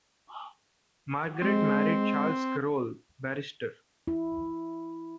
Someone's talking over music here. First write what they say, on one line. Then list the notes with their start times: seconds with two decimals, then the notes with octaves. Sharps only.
Margaret married Charles Carroll, Barrister.
1.42 G#3 C4
4.08 E4